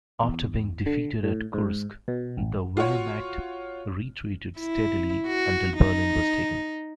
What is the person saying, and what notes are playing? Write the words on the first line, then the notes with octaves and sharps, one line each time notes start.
After being defeated at Kursk, the Wehrmacht retreated steadily until Berlin was taken.
E2
D3
A2
G#2
B2
A1
F4 F#4 C#5
E4
F#4
D#4